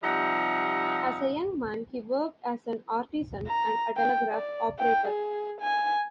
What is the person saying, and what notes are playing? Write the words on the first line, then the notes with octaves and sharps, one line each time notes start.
As a young man he worked as an artisan and a telegraph operator.
C3 F3 G3 D#4 E5 F#5
A#5
G5
D5
G5
G#4
G#5